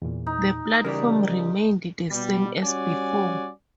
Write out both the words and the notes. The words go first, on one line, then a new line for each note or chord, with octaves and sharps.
The platform remained the same as before.
E2 A#2
D#4
C#3 E3 G3 A#4 D5
B2 G3
G3 C#4 F#4 D5 G#5